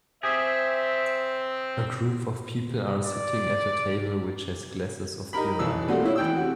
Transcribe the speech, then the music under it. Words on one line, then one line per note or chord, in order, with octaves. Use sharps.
A group of people are sitting at a table which has glasses of beer on it.
C4 G4 G#4 E5
D5
D#4 G4 A#4 B5
B1 E3 E6
A#2 G3 A3 A#3 C4 F#4
C#4 E4
E3 G5 E6
C3 F#4